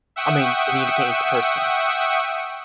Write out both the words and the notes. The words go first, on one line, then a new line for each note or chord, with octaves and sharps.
I mean, communicate in person
E5 F#5 G5 C#6 D#6 E6